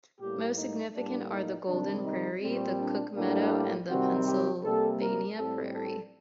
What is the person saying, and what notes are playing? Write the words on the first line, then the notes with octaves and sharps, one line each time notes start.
Most significant are the Golden Prairie, the Cook Meadow and the Pennsylvania Prairie.
A2 G3 A#3 G4
D#4
A2 G3 A#3 D4
D#4
C3 D#3 G3 C4 D4
D#4
A#2 G3 C4
D4
A2 G3 A#3 D4
C3 D#3 G3 C4 F#4
G4
C3 G3 A#3 A4
A#4
A2 G3 C4 A4
A4